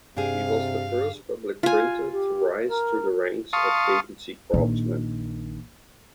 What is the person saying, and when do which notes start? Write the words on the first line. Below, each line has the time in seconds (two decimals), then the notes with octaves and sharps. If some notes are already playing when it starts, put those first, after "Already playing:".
He was the first Public Printer to rise through the ranks of agency craftsmen.
0.17 G2 C3 D4 G4 G#4 F5
1.63 F4 G#5
2.12 G4
2.68 A#4
3.53 F5 A5 C6 C#6 D#6
4.54 A#1 D#3